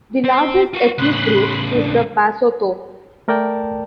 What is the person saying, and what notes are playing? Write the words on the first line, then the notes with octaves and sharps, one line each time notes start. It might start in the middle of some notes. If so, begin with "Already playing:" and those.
The largest ethnic group is the Basotho.
C4
F4 F#4
A2 C#3 B5 C6 F#6
D4
A3 A#4 D5 G5 A5